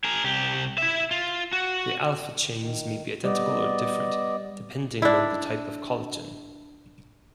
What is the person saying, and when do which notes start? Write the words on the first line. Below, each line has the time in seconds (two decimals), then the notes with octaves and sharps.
The alpha chains may be identical or different, depending on the type of collagen.
0.04 G#4 A#4
0.24 C2 G4
0.78 E4 E5
1.11 F4
1.53 F#4
2.60 D#3
3.24 G3 B3 D5 D#5
5.02 D4 E4